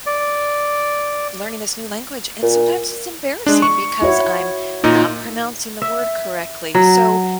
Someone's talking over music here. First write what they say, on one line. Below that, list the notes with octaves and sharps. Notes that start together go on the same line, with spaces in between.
learning this new language, and sometimes it's embarrassing, because I'm not pronouncing the word correctly, so
D5
A#2
G#3 D4
C#6
E4 F#4 C#5
A#2 D#4 F4
E5
F#3